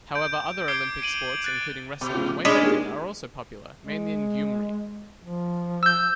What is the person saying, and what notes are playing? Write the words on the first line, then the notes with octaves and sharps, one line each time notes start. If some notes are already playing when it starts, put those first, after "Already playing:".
However, other Olympic sports including wrestling and weightlifting are also popular, mainly in Gyumri.
G6 D7
D6 G#6 C7 D7 G7
D7 D#7 F#7
F#6 A6 D7
B2
A2 C#3 F3
G#3 C#4 D4 D5 B5 C6
A#2 D#3 G3
G#3
F3
E6 G6